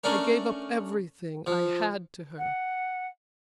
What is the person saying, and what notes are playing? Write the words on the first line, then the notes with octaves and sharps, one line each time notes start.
I gave up everything I had to her.
A3 C#4 D4 A#4
F3
F#5